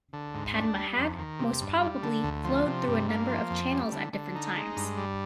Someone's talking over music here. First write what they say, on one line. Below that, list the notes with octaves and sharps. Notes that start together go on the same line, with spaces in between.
Padma had, most probably, flowed through a number of channels at different times.
D3
G#2
D4
G3
F2
D#3
C3
G2
G3
D3
D2
F3
C3
G2
A#3
F3
F2
G3
D3
D3
D#4
G#3
G2
G3